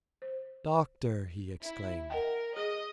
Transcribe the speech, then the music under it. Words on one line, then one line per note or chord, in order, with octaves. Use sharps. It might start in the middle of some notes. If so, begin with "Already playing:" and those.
"Doctor!" he exclaimed.
C5
E4
A#4 D#5 F#5 G5
G#4 D#5 D#6